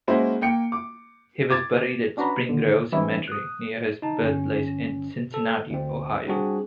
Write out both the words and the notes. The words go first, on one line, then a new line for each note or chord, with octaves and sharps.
He was buried at Spring Grove Cemetery near his birthplace in Cincinnati, Ohio.
G#3 A#3 C#4 E4 F#4 C5
A#3 G5 C#7
D6
D6 G#6 A6
C#4 D4 F#4 B4 A#5 B5
D#2 D3
E3 G3 C4 C#4 D#4 E4
D#6 F#6
D#4 A5
G1 C#4
A4
D2 C4
G3 C4 D4 F#4 G#4